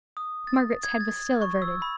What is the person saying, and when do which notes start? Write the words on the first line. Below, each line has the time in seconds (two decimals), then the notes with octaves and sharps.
Margaret's head was still averted.
0.17 D#6
0.47 A6
0.83 G#6
1.00 A6
1.42 C#6
1.62 E6
1.82 B5